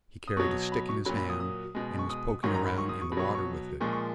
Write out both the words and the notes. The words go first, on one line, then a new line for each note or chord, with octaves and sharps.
He carried a stick in his hand, and was poking around in the water with it.
D#6
B2 F#3 C#6
B5
C#6
A#2 F#3 B5
B5
D#6
D#6
B2 G#3
C#6
D#6
G#2 D#3 F#3 C#6
A#5
B5
C#6
D#6
C#6
B2 B5
F#3 C#6
B5
C#6
A#2 F3 G#3 C#6
C#6